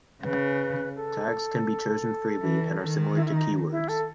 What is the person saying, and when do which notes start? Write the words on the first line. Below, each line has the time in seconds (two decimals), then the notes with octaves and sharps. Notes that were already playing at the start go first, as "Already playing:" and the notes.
Tags can be chosen freely, and are similar to keywords.
0.23 C#3 B4
0.96 A4
2.42 E3
2.79 D#3
3.15 E4
3.26 E4
3.33 D#4
3.71 E4
3.88 A4